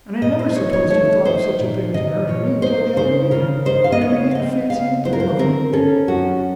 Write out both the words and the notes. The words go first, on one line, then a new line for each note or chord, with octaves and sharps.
And I never supposed you thought of such a thing as marrying me till the other evening; when I began to fancy you did love me a little.
A#2 D#5
C5
D#4 C#5
C#5
A3 C#5
D#4 C5
A#2
A#2 D#5
A#2 C#5
D#4 C5
C#3 C5
C#3 A#4
D#4 C5
F5
D#5
C#3 C#5
F5
C4 D#5
C#3 F5
F#3 C5
A#4
C5
C4 A#4
C#4 A4
F#2 F#4